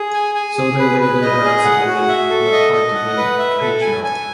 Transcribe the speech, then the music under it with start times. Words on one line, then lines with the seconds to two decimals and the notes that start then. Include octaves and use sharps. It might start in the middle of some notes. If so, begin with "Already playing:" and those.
So they laid their hands upon him, and appointed him patriarch.
Already playing: G#4
0.13 G#5
0.35 G#5
0.57 G#4
0.79 B4
1.01 B4
1.22 D#5
1.44 G#4
1.65 F#5
1.87 F#4
2.09 E5
2.30 A4
2.52 D#5
2.73 D#5
2.95 F#5
3.17 B4
3.39 E5
3.61 A4
3.81 G#5
4.04 G#5